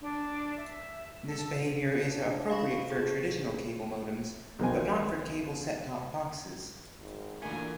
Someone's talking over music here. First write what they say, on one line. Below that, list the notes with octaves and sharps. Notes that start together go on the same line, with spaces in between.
This behavior is appropriate for traditional cable modems, but not for cable set-top boxes.
D4
E5
A4
C#4 D4 A#6
F5 B5 C#6
C#2 D3 F4 G#4
A1
B1 D#3 C4 G#5
G#1
A#2 D3 E3 A3 A#3 G#5